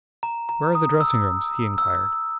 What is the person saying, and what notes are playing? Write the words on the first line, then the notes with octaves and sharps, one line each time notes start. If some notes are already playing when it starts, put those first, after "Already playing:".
"Where are the dressing rooms?" he inquired.
A#5
A#5
D#6
E6
E6